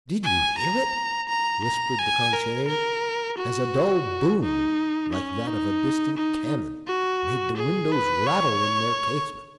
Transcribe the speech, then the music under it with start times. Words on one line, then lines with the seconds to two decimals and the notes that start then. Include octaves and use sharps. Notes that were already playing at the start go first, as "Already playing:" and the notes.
"Did you hear it?" whispered the concierge, as a dull boom, like that of a distant cannon, made the windows rattle in their casements.
0.24 G#5
0.58 A#5
1.29 A#5
1.64 A#5
1.99 G#5
2.33 A#4
2.68 A#4
3.38 F#4
4.43 D#4
5.13 C#4
5.47 D#4
6.18 D#4
6.87 F#4
7.57 G#4
7.92 B4
8.26 C#5